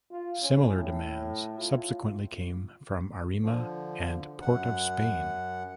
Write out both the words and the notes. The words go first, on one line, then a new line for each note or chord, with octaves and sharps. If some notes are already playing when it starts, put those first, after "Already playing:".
Similar demands subsequently came from Arima and Port of Spain.
F4
C#4
A2
F4
D3 F3
F#2 F#5